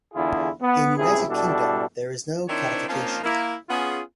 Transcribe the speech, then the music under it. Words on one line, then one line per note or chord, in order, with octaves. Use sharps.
In United Kingdom there is no codification.
E2 D3 E4 F4 G#4
B3
C#2 C3 E4 G#4
B2 G3 D4 E4 A4
D#3 C4 D4 E4 C5 C#5
F3 A#3 C4 C#4 D#4 F4
A#3 E4
B3 C#4 F4 G#4